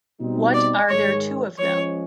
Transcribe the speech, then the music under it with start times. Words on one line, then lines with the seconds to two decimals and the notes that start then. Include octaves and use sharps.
What are there two of them?
0.20 B2 G3 C4 D#4
0.54 D5
0.89 G#2 D#3 G#3 C#5
1.59 F3 G#3 C#4 C#5